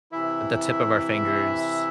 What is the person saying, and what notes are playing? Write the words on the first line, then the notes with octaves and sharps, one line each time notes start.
at the tip of our fingers.
C3 E3 E4 E5